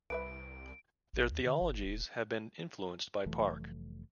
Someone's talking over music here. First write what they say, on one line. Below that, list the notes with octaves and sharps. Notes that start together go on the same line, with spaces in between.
Their theologies have been influenced by Park.
C2 E3 B4 E5 D7
A1
D#2
D3
G1
D#1
F1 E3 F#3 A3